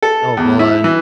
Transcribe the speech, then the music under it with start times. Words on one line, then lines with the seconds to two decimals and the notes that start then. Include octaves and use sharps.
Oh, god.
0.02 A4
0.37 E2
0.59 E4
0.84 E3